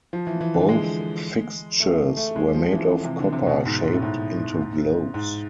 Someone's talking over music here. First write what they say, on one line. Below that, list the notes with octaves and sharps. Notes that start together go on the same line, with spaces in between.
Both fixtures were made of copper shaped into globes.
F3
E3
E3
D3
G#3
A3
A3
G#3
F3
E3
C3
D3
C3
B2
G#2
G#2
A2
G#2
G#2